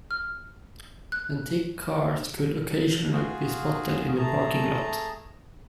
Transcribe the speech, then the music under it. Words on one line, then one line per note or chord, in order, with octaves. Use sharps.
Antique cars could occasionally be spotted in the parking lot.
F6
F#6
F4 F#4 G#4
A3 G#4 A5 A#5